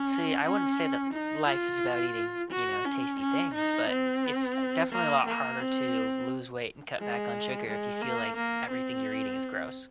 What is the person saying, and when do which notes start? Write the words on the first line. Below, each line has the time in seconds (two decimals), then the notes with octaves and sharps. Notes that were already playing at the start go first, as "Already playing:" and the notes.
See, I wouldn't say that life is about eating, you know, tasty things, but it's, uh, definitely a lot harder to lose weight and cut back on sugar if you feel like everything you're eating is gross.
Already playing: C#4
0.45 C#4
1.14 D#4
1.48 F4
2.51 F#4
2.85 C#4
3.20 C#4
3.54 D#4
3.89 C4
4.92 A#3
5.26 A#3
5.60 C4
6.98 G#3
7.67 G#3
8.01 A#3
8.36 A#3
8.71 C4